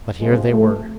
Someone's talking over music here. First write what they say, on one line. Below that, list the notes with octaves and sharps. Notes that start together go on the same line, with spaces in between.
But here they were.
C3 F3 G#3
A3